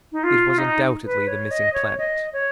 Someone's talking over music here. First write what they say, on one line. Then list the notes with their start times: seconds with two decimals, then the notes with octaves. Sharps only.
It was undoubtedly the missing planet.
0.12 D#4
0.23 F4
0.58 D#4
1.04 B4
1.27 C#5
1.50 D#5
1.73 C#5
1.98 D#5
2.32 C#5